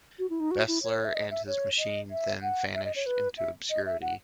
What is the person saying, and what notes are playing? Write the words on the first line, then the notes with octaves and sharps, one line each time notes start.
Bessler and his machine then vanished into obscurity.
F#4
E4
D#4
F#4
E4
C#5
E5
D#5
E5
C#5
D#5
E5
F#5
E5
D#5
C#5
B4
E5
D#5
E5
F#5